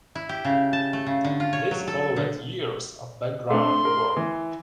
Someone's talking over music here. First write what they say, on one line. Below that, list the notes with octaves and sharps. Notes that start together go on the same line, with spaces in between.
This followed years of background work.
E4
G4
C#3
A5
A3
C#3
D3
F4
C#5
F#3
A4
D3
A3 C4 D4 C6
A#4
E3